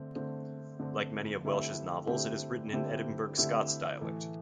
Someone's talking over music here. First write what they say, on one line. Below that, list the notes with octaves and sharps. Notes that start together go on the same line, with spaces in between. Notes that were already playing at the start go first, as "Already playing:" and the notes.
Like many of Welsh's novels, it is written in Edinburgh Scots dialect.
Already playing: D3 A3 C4
D3 A3 C4
D3 A3 C4
D3 A3 C4 E4 G4
D3 A3 C4 E4 G4
D3 A3 C4 E4 G4
D3 A3 C4 E4 G4
A2 E3 A3